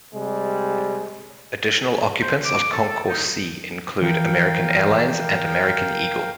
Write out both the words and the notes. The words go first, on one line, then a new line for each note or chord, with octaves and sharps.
Additional occupants of Concourse C include American Airlines and American Eagle.
C3 G3 G#3
C5
D6
A4
A4
D#4
E3 F3 A#4 F5 G5